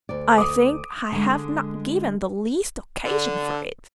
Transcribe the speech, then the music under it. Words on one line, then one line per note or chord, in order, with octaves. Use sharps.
"I think I have not given the least occasion for it."
D2 D5
D6 D#6
D3 G#3
D3